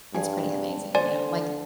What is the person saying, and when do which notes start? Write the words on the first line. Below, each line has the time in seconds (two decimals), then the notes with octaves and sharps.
It's pretty amazing, you know, like,
0.14 G2 G#4
0.95 D3 C5 D5 G#5